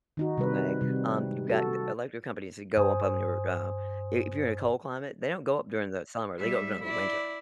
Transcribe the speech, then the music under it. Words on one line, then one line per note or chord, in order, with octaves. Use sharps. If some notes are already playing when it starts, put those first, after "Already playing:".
okay? Um, you've got g electric companies that go up on your, uh i if you're in a cold climate, they don't go up during the summer, they go up during the winter,
D#3 D#4 F#4
C3 G3 B4
C3 G3
F#4 A4
G2 C5 G#5 D#6
G3 E5
E4 D5